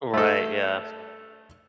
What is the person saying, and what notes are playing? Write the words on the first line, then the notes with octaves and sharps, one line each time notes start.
Right, yeah.
A3 A4